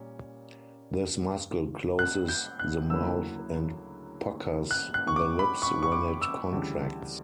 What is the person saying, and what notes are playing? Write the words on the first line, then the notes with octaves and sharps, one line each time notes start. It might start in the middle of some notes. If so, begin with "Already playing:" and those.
This muscle closes the mouth and puckers the lips when it contracts.
Already playing: A#2 G3 C#4
F#6
G6
F#6
D2 C#3 F#3 A#3 E4 E6
F#6
F#6
C#6
D6
B5
C#6
C#6
D6
E6
D2 C#3 E3 G3